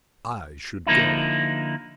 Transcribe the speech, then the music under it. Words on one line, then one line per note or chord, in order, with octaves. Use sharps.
"I should go."
D3 F3 A#3 D#4 E4